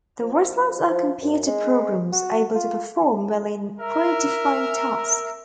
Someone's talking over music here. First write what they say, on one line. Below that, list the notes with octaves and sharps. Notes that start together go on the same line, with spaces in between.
The results are computer programs able to perform well in a predefined task.
F3
F3
F#2
G#3
F#4
F4
A#4 E5